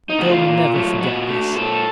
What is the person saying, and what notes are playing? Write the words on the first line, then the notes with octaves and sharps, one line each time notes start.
But they'll never forget this.
D#4
C#3 A3 F#4
F4
A#2
F#3 A3
A#2 F#4
A3
A#2 A4